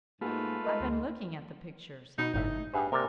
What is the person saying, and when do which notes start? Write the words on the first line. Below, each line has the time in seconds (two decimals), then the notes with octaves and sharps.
"I've been looking at the picture," said Kenneth.
0.21 G#2 A3 A#3 F4 F#4 G#4 B4
0.64 G#2 G#3 A#4 D#5 A#5
0.80 D2 C6
2.18 B2 D#4
2.34 G1 A2 D#4 E5
2.74 G2 G4 G#4 B4 E5 F#5
2.92 C3 A#3 A#4 D5